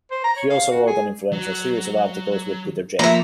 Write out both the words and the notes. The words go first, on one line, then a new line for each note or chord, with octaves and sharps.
He also wrote an influential series of articles with Peter J.
C5
A#5
C#5
F5
F#4
G#4
F#3
F3 A3 A#3 E5 A#5